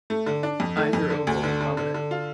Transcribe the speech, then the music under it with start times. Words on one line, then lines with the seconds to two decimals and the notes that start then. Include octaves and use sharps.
Eyes are oval and prominent.
0.10 A3
0.26 D3
0.43 D4
0.60 F2
0.77 A3
0.93 F2
1.10 D3
1.27 D2
1.44 D3
1.61 D3
1.77 D3
1.94 D3
2.11 F4